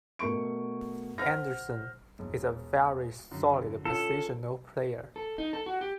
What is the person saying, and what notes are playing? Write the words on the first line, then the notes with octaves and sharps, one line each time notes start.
Andersson is a very solid positional player.
B2 A3 A#4 C#6 D7
C5 F#5 F6 A#6
E1
F#2 D3
C#4 F4 A4
A4
D#4
A4
F#4
G4